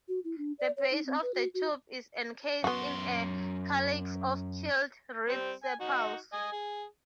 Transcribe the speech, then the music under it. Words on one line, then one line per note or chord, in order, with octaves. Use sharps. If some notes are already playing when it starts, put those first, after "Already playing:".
The base of the tube is encased in a calyx of keeled, ribbed sepals.
F#4
E4
D4
D5
C#5
D#4
C4
B4
F#4
F#4
F#2 B3 F#4 C6
G3 C4
G#5
D#4 F#4
D#5 G#5
G#4